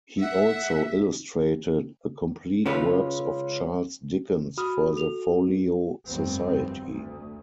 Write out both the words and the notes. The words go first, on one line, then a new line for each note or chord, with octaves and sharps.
He also illustrated the complete works of Charles Dickens for the Folio Society.
E5 F#5
C#3 G#3 C#4 F4 B4
F#4 B5 D#6 F6
A4 F7
F1 D2 G2 D#3 B3 C4
D2